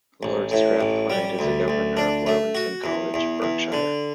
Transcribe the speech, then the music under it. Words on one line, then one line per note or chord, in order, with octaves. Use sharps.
Lord Strathclyde is a Governor of Wellington College, Berkshire.
A1
A2
A1
G3
D2
D2
D4
A3
F#4
E2
E2
E2
D3